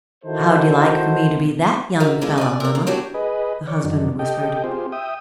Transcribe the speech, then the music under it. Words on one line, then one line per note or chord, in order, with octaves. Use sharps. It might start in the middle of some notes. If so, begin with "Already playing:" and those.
"How'd you like for me to be THAT young fella, mamma?" the husband whispered.
D#3 D#4 E4 F#4 A4 C5
D#4 F#4 A#4 E5
G#3 D4 E4 F4
D5 D#5 G#5
A#4 D5
A#3
D4 E4 F#4 G4 C#5
G#4 B4 D#5
C#5 D5
F#2 D#3 D4
G4 A4 D#5 G5
C4 F4 G4 G#4 C5
E5 G5 D#6